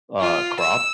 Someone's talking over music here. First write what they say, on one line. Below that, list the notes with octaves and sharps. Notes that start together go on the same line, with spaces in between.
uh, crop,
F4
E6